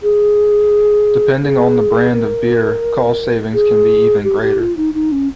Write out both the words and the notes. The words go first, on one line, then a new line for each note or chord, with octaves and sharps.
Depending on the brand of beer, cost savings can be even greater.
G#4
G#4
A#4
G#4
G4
G4
F4
D#4
D#4
C#4